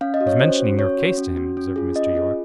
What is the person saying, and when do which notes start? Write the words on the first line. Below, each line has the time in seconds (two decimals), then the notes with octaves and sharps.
"I was mentioning your case to him," observed Mr. Yorke.
0.01 C#4 F5
0.14 D#5
0.21 F#4
0.27 C#5
0.40 C#4 C5
0.60 F#4
0.79 C#4 C#5
0.98 F#4
1.18 C#4
1.37 F#4
1.57 C#4
1.76 F4 G#4
1.96 C#4 D#5
2.15 F4 G#4